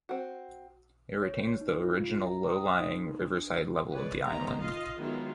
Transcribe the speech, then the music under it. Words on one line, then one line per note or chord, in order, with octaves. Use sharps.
It retains the original low-lying riverside level of the island.
C4 F#4
C#5
D#4
F4
A#5
D#6
D#4
D4
G#3 B4 C#5 D5
D#3 B3 G4 A#5
F4 D#5 F5
D#3 F#3 G#3 B3 E4 F4